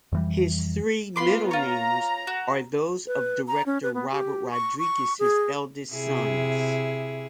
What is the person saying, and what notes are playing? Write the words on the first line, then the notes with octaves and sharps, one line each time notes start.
His three middle names are those of director Robert Rodriguez's eldest sons.
F2 E3 G3
B3 F4 B5 C6 D6
F4 C#5 A#5
F#4
B4
A#5
C#4
B4
B3
G4
C#6
C#6
G#4
C3 E4 G#4